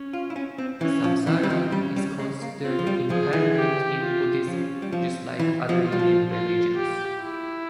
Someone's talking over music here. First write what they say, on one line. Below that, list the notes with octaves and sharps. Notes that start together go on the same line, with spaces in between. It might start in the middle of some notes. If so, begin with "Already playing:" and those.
Samsara is considered impermanent in Buddhism, just like other Indian religions.
Already playing: C#4
F4
E4
C#4
C4
E3 C#4
F3
E3 C4
G3
F3
G3 C#4
G3
G#3
A#3
C4 F4
F3
G3
F3 G#4
E3
G4
F4
F3 C#4
G3
F3 C4
E3
F3
F4
G3
F3
F4
G4
E4